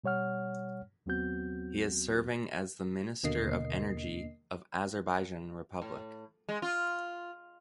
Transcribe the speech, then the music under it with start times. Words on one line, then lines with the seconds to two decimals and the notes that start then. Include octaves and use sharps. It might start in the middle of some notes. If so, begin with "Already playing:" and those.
He is serving as the Minister of Energy of Azerbaijan Republic.
0.04 B2 G3 C#5 F#5 F6
1.06 D#2 F#3 B3 C4 F#4 G6
3.23 D#2 B2 D3 A#3 D#5 C7
5.82 A2
6.49 G#3
6.62 F4